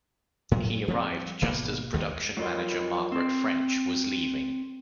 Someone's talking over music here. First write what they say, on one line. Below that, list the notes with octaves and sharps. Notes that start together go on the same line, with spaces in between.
He arrived just as Production Manager Margaret French was leaving.
A2 F#3
F3 G3 A3 C4
G#1 B2 A#3 B3
D#2 D#3 F#3 G3
F#3 F4 A4 A#4 D#5
C4